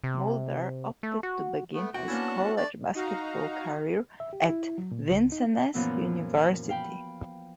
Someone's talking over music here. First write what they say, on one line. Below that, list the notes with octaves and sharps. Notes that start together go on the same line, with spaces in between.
Mulder opted to begin his college basketball career at Vincennes University.
C3
A3
F#4
A3 B3
E2 C3 F#4 G5
A#3 B3 C#4 D4 E4 A5
A3 D4 D5
D#4 F#4 F5 A#5
E5
G4
E4
F#3
A#2
C#2
D#4
F#2 A#2 E3 F3 B3 E4
F5 G5 B5